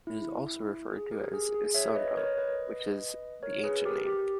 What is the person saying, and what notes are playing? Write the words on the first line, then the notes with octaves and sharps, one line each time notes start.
It is also referred to as Issoundun, which is the ancient name.
E4
G#4
G4 A#4
G#4
G#4
C#5 E5
B4 D#5
A#4 C#5
B4 D#5
A#4 C#5
G#4 B4
G4 A#4
G4